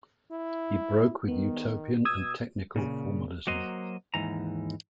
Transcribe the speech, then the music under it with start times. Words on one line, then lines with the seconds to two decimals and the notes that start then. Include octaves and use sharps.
He broke with utopian and technical formalism.
0.31 E4
1.28 D#3 B3
2.05 B2 D#6 E6 G#6
2.76 A#2 C#3
3.47 F#3 A#3 F#4 C5 D#5
4.14 D#2 G#2 E3 A#5